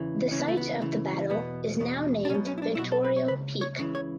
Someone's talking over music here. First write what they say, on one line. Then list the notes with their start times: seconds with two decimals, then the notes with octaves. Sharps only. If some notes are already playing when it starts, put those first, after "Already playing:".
The site of the battle is now named Victorio Peak.
Already playing: E2 C#3 E3
0.31 C#2 C#3 E3 C#4
0.40 B3
0.48 A3
0.57 B3
0.82 C#2 C#3 E3
1.30 E2 B2 B3
1.80 E2 B2
2.25 D4
2.29 B1 C#4
2.34 B2
2.47 C#4
2.58 E4
2.62 D4
2.75 E4
2.78 B1 F#4
2.82 B2
2.92 A4
3.04 B4
3.16 C#5
3.28 C#2 C#3 B4
3.61 C#5
3.78 C#2 C#3 E3
3.95 C#5